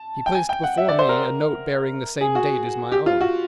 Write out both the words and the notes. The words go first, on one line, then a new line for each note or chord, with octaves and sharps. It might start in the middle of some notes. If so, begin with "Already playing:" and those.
He placed before me a note bearing the same date as my own.
Already playing: A5
G5
G#5
G5
F#5
E5
D5
C5
A#4
G#4
F#4
G4
F4
F#4